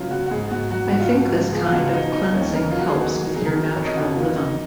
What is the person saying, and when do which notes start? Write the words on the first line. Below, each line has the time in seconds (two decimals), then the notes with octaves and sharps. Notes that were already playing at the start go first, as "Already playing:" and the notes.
I think this kind of cleansing helps with your natural rhythm.
Already playing: C#2 C#3 F#3 C#4 F4
0.11 C#3 F#4
0.26 F#4
0.31 G#2 G#4
0.51 G#2 F#4
0.71 F#3 F#4
0.91 G#2 F#4
1.00 F4
1.08 F3 F#4
1.33 C#2
1.52 F3 G#4
1.65 F4
1.72 C#2 F#4
1.87 F4
1.93 F3 D#4
2.13 F3 D#4
2.34 D#2 C#4
2.53 C#3 A#4
2.72 F#3 F4
2.80 F#4
2.88 G#4
2.95 D#3
3.01 F#4
3.15 F#3
3.26 D#4
3.35 F#3 G#4
3.45 A#4
3.55 D#3 A#4
3.66 A#4
3.76 F2 C#5
3.86 D#5
3.96 F2 F#4
4.16 D#3 F4
4.37 D#3 D#4